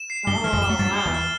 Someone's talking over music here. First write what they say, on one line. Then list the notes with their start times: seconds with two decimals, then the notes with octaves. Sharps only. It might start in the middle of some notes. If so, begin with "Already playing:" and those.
Oh, wow.
Already playing: E7
0.10 C7
0.27 G2 G3 G7
0.44 E3 F6
0.53 F2 F3
0.62 E7
0.69 A3
0.79 G2 G3 A6
0.96 G7
1.05 E2 E3
1.14 F6